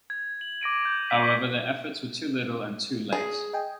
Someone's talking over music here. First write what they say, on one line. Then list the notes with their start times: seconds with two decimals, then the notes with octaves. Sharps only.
However, the efforts were too little and too late.
0.10 G#6
0.41 F#7
0.61 D6 A#6 D7 D#7
0.85 G6
1.10 B6 D#7
1.23 C#6 B6
3.13 G#4
3.53 D#5 G5 G#5